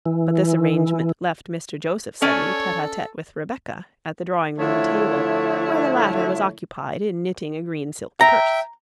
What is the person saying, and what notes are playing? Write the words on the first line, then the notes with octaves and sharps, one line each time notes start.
But this arrangement left Mr. Joseph Sedley tete-a-tete with Rebecca, at the drawing-room table, where the latter was occupied in knitting a green silk purse.
E3
C#4 A4 C#5 D5 G#5
D3 F3 A3 E4 C#5
E5 G5 A#5